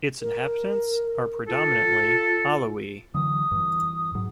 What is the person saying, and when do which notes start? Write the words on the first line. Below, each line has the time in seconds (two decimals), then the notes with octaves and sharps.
Its inhabitants are predominantly Alawites.
0.21 A#4
1.48 F4 A4
3.14 D3 E3 F#3 D#6
3.51 G2 E3
4.15 G#2 F#3